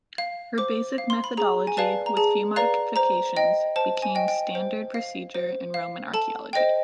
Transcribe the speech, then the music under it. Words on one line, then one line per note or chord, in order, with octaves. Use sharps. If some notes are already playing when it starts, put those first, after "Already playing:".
Her basic methodology, with few modifications, became standard procedure in Roman archaeology.
F5
C5 D6
F5
C6
B5
G#4 A#5
G#5
B4 D5 F5 A5
A#5
G#4 A5
B4 D5 F5 A#5
C5 A#5
D#5 G5
C5 A5
G#5
D#5 G5
G5
C5
F5
C5
F5
A4 A5
C5 D#5 G5